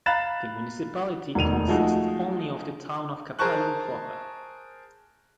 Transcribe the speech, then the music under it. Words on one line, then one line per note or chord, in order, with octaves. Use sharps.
The municipality consists only of the town of Kapellen proper.
F5 A#5 B5 F#6 A6 E7
E1 D2 D#3 D#7 F7
F3 G#3 A3 D#4 F#4
G#4 A#4 C5 A5 C#6 F#6